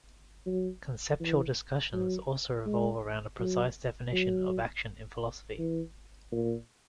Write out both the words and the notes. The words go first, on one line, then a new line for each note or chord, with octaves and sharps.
Conceptual discussions also revolve around a precise definition of action in philosophy.
F#3
E3
F#3
G#3
F#3
F#3
E3
A#2